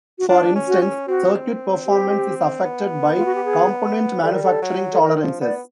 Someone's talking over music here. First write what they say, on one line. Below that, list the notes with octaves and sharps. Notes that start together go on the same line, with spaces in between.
For instance, circuit performance is affected by component manufacturing tolerances.
F#4
D4 F4
C#4
F#4
C#4
C4 F#4
G4
B3
F4
F#4
G4
G#4
G3 A4
A#4
A4
F#3
A4
D#3 A#4
F3
B3 D5